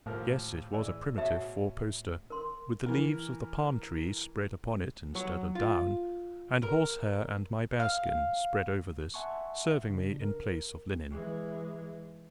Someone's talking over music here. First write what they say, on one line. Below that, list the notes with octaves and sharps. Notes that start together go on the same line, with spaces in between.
Yes, it was a primitive four-poster, with the leaves of the palm-tree spread upon it instead of down, and horsehair and my bearskin spread over this serving me in place of linen.
D#2 A2 F3 A#4
E3 G#4 D5
B2 C#5 E5 A5
A#4 C6
E3 A#4
F#3
F4
A#4
F5
E5 F#5 G#5 A5 C6 C#6
C#3 D4
A#4
E3 G#3